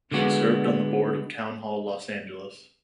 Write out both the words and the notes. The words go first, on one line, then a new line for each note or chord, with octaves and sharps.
She served on the board of Town Hall Los Angeles.
D3 G#3 B3 F#4